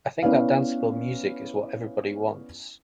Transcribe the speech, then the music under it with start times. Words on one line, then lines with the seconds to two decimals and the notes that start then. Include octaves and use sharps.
I think that danceable music is what everybody wants.
0.23 B3 C#4 E4 B4 D5 F5